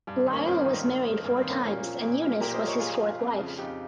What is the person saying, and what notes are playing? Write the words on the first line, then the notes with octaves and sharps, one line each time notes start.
Lyle was married four times and Eunice was his fourth wife.
G2
D#3
A#3 C#4
G2 C4
D#3
G2
D#3
G2 A#3
C4
D#3
A#3 C#4
A#2 A#3 C#4
F3
A#2
F3
A#2 G4 A#4
C5 D#5
F3
A#4 C#5
A#2 F4 G#4
F3
F2
C#3 F3
F2 D#4 G4